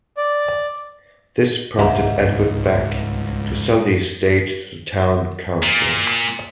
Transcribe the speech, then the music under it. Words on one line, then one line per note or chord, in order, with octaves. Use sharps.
This prompted Edvard Bech to sell the estate to the town council.
D5
C#2 G#2 E5 A#5
A#2